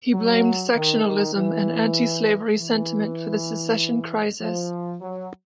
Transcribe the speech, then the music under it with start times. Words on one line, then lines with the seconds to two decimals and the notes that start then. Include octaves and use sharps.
He blamed sectionalism and anti-slavery sentiment for the secession crisis.
0.14 F#3
0.75 D#3
1.05 D#3
1.35 E3
2.57 E3
4.41 F3
5.01 F#3